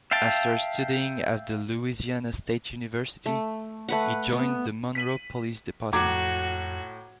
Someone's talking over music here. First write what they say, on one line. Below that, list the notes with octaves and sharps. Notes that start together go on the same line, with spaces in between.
After studying at the Louisiana State University, he joined the Monroe Police Department.
E5 F5 G5 A5
A3
A3 B4 F#5
B3
B6 D#7 F#7
F2 A2 F#4 A#5 D6 G#6